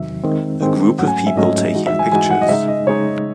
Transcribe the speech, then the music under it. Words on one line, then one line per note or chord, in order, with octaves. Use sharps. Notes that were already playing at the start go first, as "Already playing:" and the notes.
A group of people taking pictures.
Already playing: E2 C3 D#3 F#3 E5
D#3 G#3 C4
D#3 G#3 C4
G#2 F#3 A3 C#4 F#5
G#5
E5
G#2 F#3 A3 C#4 D#5
E3 G#3 D#4 F#4
E5
G#5
E3 G#3 D#4 F#4 G#5
F#5
D#5
C#3 G#3 D#4 E5
D#5
C#3 G#3 D#4 C#5